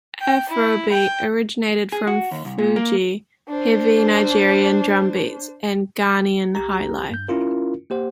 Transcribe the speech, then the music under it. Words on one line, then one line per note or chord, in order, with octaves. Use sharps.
Afrobeat originated from Fuji, heavy Nigerian drumbeats, and Ghanaian highlife.
G5
E4
G5
G#4
F#4
D#2
C2
A#2
A#3
D4 C5
C2 G4 A#5
G2 G6
C#4 E4 F4 A#4
A#3 G4 C5 F#5